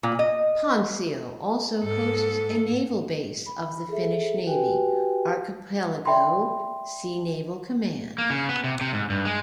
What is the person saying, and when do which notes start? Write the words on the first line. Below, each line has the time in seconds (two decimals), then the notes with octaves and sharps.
Pansio also hosts a naval base of the Finnish Navy, Archipelago Sea Naval Command.
0.03 A#2
0.19 D#5
1.81 G#2 A4
3.46 B5
3.89 G#4 A4 E5
4.47 F#4 G4 B4 G5 G#5
6.05 D5 E5 G5 B5 C6
8.18 A#3
8.30 C#3
8.49 B3
8.64 C3
8.81 C3
8.93 G#2
9.10 G2
9.25 G#3